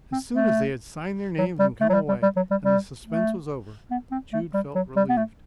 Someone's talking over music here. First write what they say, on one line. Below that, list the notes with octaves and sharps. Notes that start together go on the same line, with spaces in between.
As soon as they had signed their names and come away, and the suspense was over, Jude felt relieved.
C4
A3
F#3
G3
A3
F#3
G3
G3
G3
F#3
G3
G3
A3
B3
C4
A3
G3
F#3
G3
B3
A3